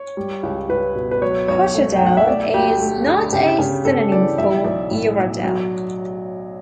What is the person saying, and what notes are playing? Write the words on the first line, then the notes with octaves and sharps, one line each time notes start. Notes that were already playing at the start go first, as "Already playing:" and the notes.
"Hochadel" is not a synonym for "Uradel".
Already playing: C#5
G3
C#2
C#2 B4
B2
B4
F#3 C#5
B1 C#5
A3
G5
B1
F#5
E5
A3 D5
D2 G4
A3
D3
C#3 G4
C#3
C#3 A4
E3 D5
B1 E5
B1 D5
A2
B1
F#3